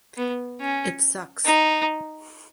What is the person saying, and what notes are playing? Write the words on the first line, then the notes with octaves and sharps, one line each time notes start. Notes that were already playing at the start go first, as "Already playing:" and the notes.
It sucks.
B3
C#4
D#4